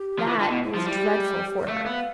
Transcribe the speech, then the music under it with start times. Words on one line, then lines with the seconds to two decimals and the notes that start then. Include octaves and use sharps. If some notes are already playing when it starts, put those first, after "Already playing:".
That was dreadful for her.
Already playing: G4
0.19 F3
0.27 E3 F4
0.39 D3 F4
0.50 B2 E4
0.63 E4
0.75 F3 E4
0.86 G3 E4
0.98 G4
1.69 A3 F5
1.86 B3